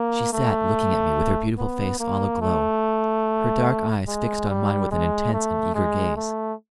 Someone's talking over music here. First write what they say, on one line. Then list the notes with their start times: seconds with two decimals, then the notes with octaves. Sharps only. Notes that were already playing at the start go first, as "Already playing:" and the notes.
She sat looking at me with her beautiful face all aglow her dark eyes fixed on mine with an intense and eager gaze.
Already playing: A#3
0.33 A3
1.58 B3
2.00 A#3
2.41 A3
4.08 G#3
4.50 G3
4.91 G#3
5.34 A3
5.75 G#3
6.17 A3